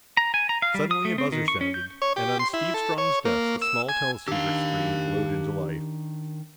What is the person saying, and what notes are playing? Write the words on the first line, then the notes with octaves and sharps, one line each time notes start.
Suddenly a buzzer sounded, and on Steve Strong's desk a small teleceiver screen glowed into life.
A#5
G#5
A#5
F5
G3
D#6
A3
C4
D#3
C#6
C#4
G6
C#5
G4
C6
E4
A4
C#5
A#3
E6
G#5
D#3 D4 G4 F5 E6